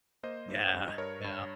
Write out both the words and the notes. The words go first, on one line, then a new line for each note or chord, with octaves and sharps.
Yeah, yeah,
A#3 C5 D#5
G2
G2
D#5
G2 A#4 C#5
G2